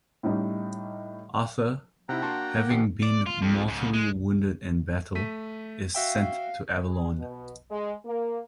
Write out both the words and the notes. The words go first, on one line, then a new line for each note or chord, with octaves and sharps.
Arthur, having been mortally wounded in battle, is sent to Avalon.
A2 G3 C#4 D#4
C3 D#4 E4 F#5 G5 A#5
A#3 D4 F#4 A5 C6
A#3
A1 D3 G4 F#5 C7
D5
F4
F2
G#2 C#3
G#3
A3 B6 D#7
F#4 E5 F5 G5
G#4
B2
G#3
A#3